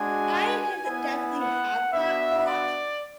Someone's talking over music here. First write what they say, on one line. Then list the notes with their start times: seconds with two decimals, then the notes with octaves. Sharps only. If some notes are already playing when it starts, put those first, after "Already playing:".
I have definitely had that thought
Already playing: G#3 D4 F#4 G#5
0.85 B3 E4
1.39 F#5
1.91 B3 D4 F#4 E5
2.46 D5